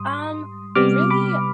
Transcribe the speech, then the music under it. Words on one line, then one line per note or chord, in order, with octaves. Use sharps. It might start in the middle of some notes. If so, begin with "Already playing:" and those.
Um, really?
Already playing: G#2 G3 C6 D#6
C3 G3 B3 D6 F6
B5 D6